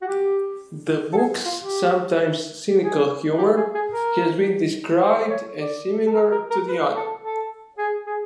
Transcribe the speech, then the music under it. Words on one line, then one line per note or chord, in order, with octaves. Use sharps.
The book's sometimes cynical humor has been described as similar to The Onion.
F#4
G4
A4
G#4
F4
G4
G#4
G4
G#4
G#4
A#4
C5
C#5
D5
A4
A#4
A#4
A#4
B4
A4
A4
G#4
G#4